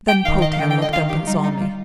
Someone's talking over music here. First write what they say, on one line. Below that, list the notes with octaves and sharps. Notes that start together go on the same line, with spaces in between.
Then Potan looked up and saw me.
G5
D#3 F5
D#5
F5
D3 G5
G5
D#5
D#3 F5
G4
G3 D#4
D#4
F4